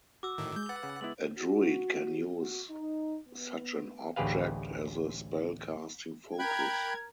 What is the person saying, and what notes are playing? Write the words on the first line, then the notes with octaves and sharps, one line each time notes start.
A druid can use such an object as a spellcasting focus.
F#4 D6 E6
A2 D#3
G#3 G6
B4 F#5 A6
C#3
G#3 B3 E4 F#7
F#4
F#4
D#4
B3
A1 D2 G4 G#4 B4 F5
A#4 G5 B5 F#6 G#6